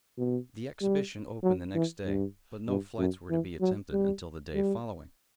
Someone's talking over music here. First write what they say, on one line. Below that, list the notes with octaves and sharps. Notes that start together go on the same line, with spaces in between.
The exhibition opened the next day, but no flights were to be attempted until the day following.
B2
G3
F#3
E3
G2
G2
F#2
E3
F#3
G3
G3